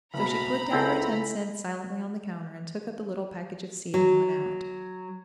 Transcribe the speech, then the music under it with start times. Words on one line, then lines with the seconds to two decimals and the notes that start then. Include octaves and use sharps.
So she put down her ten cents silently on the counter, and took up the little package of seed, and went out.
0.14 F#1 B2 A#5 B5
0.71 C#2 C4 E4 A4 G#5
3.94 F#3